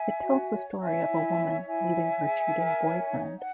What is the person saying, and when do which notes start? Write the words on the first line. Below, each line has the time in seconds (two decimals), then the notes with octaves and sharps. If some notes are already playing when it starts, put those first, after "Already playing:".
It tells the story of a woman leaving her cheating boyfriend.
Already playing: E5 G#5
0.22 F#4
0.51 C#5
0.79 C#5 E5 G#5
1.08 E4
1.37 C#5
1.65 E4 E5 G#5
1.94 C#5
2.23 G#4
2.53 A#4
2.81 C#5
3.10 D#4
3.38 F#5